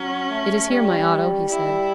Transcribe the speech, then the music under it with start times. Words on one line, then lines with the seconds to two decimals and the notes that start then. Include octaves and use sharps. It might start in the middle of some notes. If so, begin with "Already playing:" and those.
"It is here, my Otto," he said.
Already playing: F#3 C#4
0.30 A3
0.70 G3
1.48 G3 E4